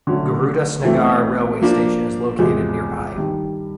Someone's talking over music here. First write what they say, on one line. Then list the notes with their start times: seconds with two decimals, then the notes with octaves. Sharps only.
Gurudas Nagar railway station is located nearby.
0.07 D3 F#3 A3 C#4
0.84 E3 A3 C4
1.61 F3 A#3 D4
2.39 E2 C3 F3 G#3
3.15 G2 D#3 G3